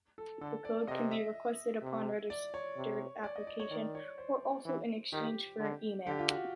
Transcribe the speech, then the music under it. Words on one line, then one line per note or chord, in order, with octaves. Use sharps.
The code can be requested upon registered application or also in exchange for an email.
A4
D3 A4
D5
C3 D#5
E5
C3
D5
C#5
C3
D5
D#5
D5
C#5
D#3 D5
C#5
C5
E3
D#3 G4
D3
D3 G4
F4
F#4